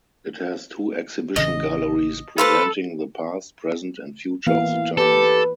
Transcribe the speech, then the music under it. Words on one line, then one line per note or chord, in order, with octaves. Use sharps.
It has two exhibition galleries presenting the past, present and future of the town.
A1 C#3 E3 D#5
A4 B4 C5 F5 B5
E3 A#3 B3 F5
G4 A4 B4